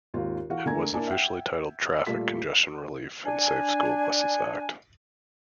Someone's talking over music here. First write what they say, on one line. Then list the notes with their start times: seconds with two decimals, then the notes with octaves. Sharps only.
It was officially titled Traffic Congestion Relief and Safe School Buses Act.
0.14 G#1 D#2 F4 A#4
0.50 E3 F#4 F5
0.66 D3 A3 A#3 G#5 A#5 G#6
0.94 A#3 D4 E4 G#5 A5
1.08 E5 F#5 G5
2.07 A#2 G3 A3 F4 A5 B6
3.25 D4 G#5